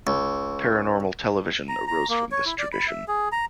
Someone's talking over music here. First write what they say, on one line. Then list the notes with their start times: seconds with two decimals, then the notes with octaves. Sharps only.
Paranormal television arose from this tradition.
0.07 C#2
1.69 A#5
1.87 A#5
2.09 A#3
2.31 C#5
2.45 E4
2.59 D5
2.73 B5
2.88 E5
3.08 G#4
3.32 A#5